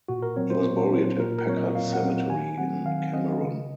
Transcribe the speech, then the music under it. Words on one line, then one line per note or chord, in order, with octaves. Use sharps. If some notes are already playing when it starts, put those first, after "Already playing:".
He was buried at Packard Cemetery in Cameron.
A#2 F#4
A#4
F#3 C4 C#5
C5
A#2
F#3 C4
A#2 A#4
A#4
F#3 C4 C#5
D#5
A#2 F5
F#5
F#3 C4
D#3 G#5
F#3 C4 F#5
D#3 F5
F#3 C4 D#5
C#3